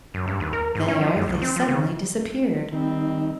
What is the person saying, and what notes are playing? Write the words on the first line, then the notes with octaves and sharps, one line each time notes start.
There they suddenly disappeared.
F#2
G2
D#2
A#4
G#2
C#4
F3
F#2
C2
C4
F3
C#3
D#3 G3 C4